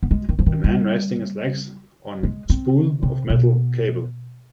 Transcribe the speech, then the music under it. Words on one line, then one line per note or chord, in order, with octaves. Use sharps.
A man resting his legs on spool of metal cable.
B3
G#3
D#3
F3
D#3
G3
G#3
C4
C3
B2